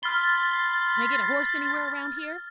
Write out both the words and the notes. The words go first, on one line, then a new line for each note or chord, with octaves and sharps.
"Can I get a horse anywhere around here?"
B5 C6 F6 A6 G7